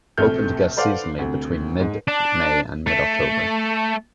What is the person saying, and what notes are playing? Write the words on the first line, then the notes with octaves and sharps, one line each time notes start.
Open to guests seasonally between mid May and mid October.
A#1 C3 A3 A4 F6 G6
A4 B4 C5 D5 F5 F#5
D2 C3
G#2
D4
A3